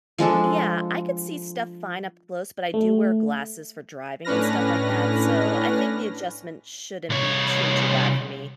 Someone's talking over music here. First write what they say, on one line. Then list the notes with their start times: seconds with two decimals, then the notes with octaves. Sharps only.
Yeah, I could see stuff fine up close, but I do wear glasses for driving and stuff like that, so I think the adjustment shouldn't be too, too bad for me,
0.19 F3 G#3 D4 A4
2.74 A3
4.25 A2 C#4 D4 B4 F6 A#6
7.10 C2 C#5